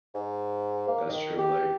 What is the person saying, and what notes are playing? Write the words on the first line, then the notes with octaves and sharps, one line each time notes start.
That's true, like
G#2
A#3
D#3
G4